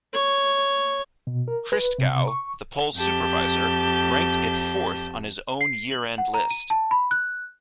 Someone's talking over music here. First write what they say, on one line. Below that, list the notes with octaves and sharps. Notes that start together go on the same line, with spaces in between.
Christgau, the poll's supervisor, ranked it fourth on his own year-end list.
C#5
B2
A#4
B4
C3
C#6
F2 G4 A5 G6
C7
F#7
F#5
A#5
D#7
A5
B5
F#6